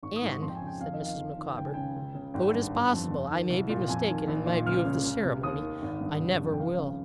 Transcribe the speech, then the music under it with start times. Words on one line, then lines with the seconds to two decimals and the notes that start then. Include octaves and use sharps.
And,' said Mrs. Micawber, 'though it is possible I may be mistaken in my view of the ceremony, I never will!'
0.03 G#1 C#6
0.16 D#6
0.22 G#2
0.29 C#6
0.41 F2 C6
0.49 G5
0.55 G#5
0.61 C#3
0.67 G5
0.80 F2 F5
0.93 D#5
1.00 D#3
1.05 F5
1.19 F2
1.37 D#3
1.57 C#2 G5
1.66 G#5
1.74 C#3 G5
1.96 C#2
2.15 C#3
2.34 G#1 G5
2.54 G2
2.73 G1
2.93 F2
3.11 F2
3.31 D#3
3.50 C2
3.69 A#2
3.88 F2 G#5
4.09 D#3
4.28 A#1
4.46 A#2
4.66 C#2 F6
4.85 C#3
5.04 C#2
5.23 C3
5.43 D#2 D#6
5.62 D#3
5.82 G#1
6.01 G2
6.20 F1
6.39 F2
6.53 G5
6.59 C#2 F5
6.78 C#3